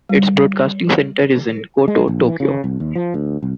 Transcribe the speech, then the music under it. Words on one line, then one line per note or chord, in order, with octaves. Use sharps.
Its broadcasting center is in Koto, Tokyo.
G3
G#3
A#1
E3
C#3
C2
D#2
F3
D2
C2